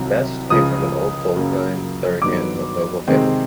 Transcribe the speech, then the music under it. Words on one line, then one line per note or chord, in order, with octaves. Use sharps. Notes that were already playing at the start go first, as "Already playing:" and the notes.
Metzsch came from an old Vogtland-Thuringian noble family.
Already playing: C2 C3 D#3 F#3
C#2 C#3 F3 D#6
F#2 C#3 F#3 A#3
G2 D#3 F#3 B3 D6
C3 D#3 G#3 C4